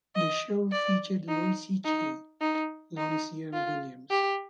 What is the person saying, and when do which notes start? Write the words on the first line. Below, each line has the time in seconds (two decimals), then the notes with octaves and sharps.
The show featured Lottie Gee, Loncia Williams.
0.16 D#5
0.72 D5
1.28 D#4
1.85 D#4
2.41 D#4
2.97 D#4
3.53 F4
4.10 G4